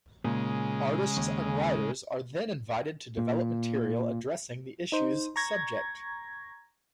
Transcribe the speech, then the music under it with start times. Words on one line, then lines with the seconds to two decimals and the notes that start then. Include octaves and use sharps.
Artists and writers are then invited to develop material addressing the issue's subject.
0.24 A#2 C#3 G#3
1.17 D#2
3.17 A#2
4.92 D#4 C5
5.36 A#5 C#6 G#6 A#6